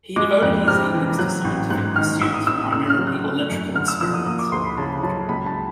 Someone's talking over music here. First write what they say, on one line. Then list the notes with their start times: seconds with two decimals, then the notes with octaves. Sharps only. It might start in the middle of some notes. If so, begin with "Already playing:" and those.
He devoted his evenings to scientific pursuits-primarily electrical experiments.
0.16 G#3 D6
0.42 F2 F#6
0.68 C3 F6
0.93 E3
1.19 F#3 F#6
1.45 A1
1.70 G#2 F#6
1.96 D#3 F6
2.21 A1 E6
2.34 D#6
2.47 A1 E6
2.60 D#6
2.73 A2 E6
2.90 F6
2.99 F#3
3.07 F#6
3.24 A3
3.50 F#2
3.76 D3 F6
3.88 E6
4.01 F3 E6
4.14 D#6
4.26 A#3 D#6
4.39 D6
4.52 D2 C6
4.65 B5
4.78 C#3 A5
5.03 F#3 A5
5.29 C#2 B5
5.46 A5